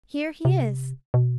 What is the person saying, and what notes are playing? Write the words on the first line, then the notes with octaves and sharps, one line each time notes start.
Here he is.
C3
B2